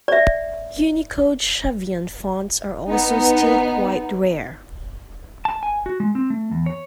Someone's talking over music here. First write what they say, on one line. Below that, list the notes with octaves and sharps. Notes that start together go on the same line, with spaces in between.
Unicode Shavian fonts are also still quite rare.
D5 E5
B3 D#4
A5
G#5
F#4
G#3
C4
A3
E2
C#5